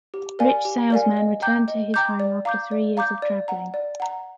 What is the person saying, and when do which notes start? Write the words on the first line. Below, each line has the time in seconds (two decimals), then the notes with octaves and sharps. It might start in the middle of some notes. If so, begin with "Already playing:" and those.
Rich salesman returned to his home after three years of travelling.
0.14 G4
0.39 A#4 D5 F5 G#5
0.65 G4
0.90 A#4 D5 F5 G#5
1.17 D#5
1.42 G5 A#5 D6 G6
1.68 D#5
1.94 G5 A#5 D6 G6
2.20 D5
2.45 F5 A#5 D6 G6
2.71 D5
2.97 F5 A#5 D6 G6
3.22 D5
3.48 F#5 A#5
3.74 D5
4.00 F#5 A#5